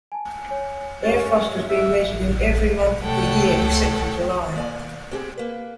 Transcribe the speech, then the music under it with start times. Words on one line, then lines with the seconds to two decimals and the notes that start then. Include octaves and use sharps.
Air frost has been measured in every month of the year except for July.
0.12 G#5 A5
0.49 C#5 G#5
1.04 C#4 G4 C#5 A6
1.69 E5
3.03 A3 A4 C#5 F#5 G5 A5
4.56 A#3 D5 G#5
5.11 C4 G4 G#4
5.38 A#3 B4